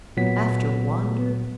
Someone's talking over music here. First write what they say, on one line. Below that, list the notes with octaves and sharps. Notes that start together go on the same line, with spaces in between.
After Wander?
A#2 F#3 B3 B6